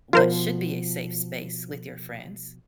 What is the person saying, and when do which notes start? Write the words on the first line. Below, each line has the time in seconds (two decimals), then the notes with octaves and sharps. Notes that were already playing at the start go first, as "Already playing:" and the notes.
what should be a safe space with your friends,
0.13 B2 F3 F4 A#4 C5